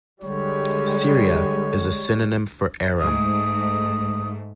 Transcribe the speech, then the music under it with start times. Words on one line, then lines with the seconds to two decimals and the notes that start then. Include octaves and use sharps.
Syria is a synonym for Aram.
0.22 D3 G3 G#3 C#5
3.00 G#2 A3 D#6